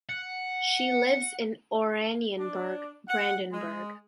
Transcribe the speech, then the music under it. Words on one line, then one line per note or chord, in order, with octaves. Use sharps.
She lives in Oranienburg, Brandenburg.
F#5
D4
F#5
G#3